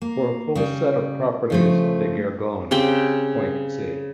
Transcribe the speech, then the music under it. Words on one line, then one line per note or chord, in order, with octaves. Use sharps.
For a full set of properties of the Gergonne point see.
A#3
C#3 G3
C#3 F3 A3
C#3 C4 G4 G5